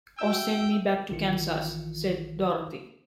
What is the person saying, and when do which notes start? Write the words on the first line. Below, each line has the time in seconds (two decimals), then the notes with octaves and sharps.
"Or send me back to Kansas," said Dorothy.
0.19 F#4 E5 G5 E6
1.11 A#1 D#3 E3 F4 C#7